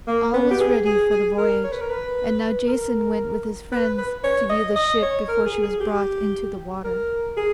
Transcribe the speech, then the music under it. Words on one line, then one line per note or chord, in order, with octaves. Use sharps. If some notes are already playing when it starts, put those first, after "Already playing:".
All was ready for the voyage, and now Jason went with his friends to view the ship before she was brought into the water.
A#3
B3
G4
G#4
G#4
G#4
A#4
C#5
B4
A#4
B4
A#4
B4
B4
C#5
D#5
D#5
C#5
A#4
G#4
G#4
G4
A#4
G#4